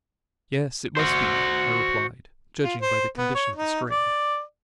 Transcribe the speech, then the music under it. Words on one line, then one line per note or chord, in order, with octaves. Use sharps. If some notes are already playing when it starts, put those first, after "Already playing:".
"Yes, it must be," I replied, "judging by the condition of the Strand."
F#4 C5
F4
C5
B3
C#5
D#4
D5